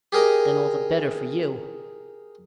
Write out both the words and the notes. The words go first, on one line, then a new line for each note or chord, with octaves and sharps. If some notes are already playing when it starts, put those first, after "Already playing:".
Then all the better for you.
G4 G#4 A#4 D#5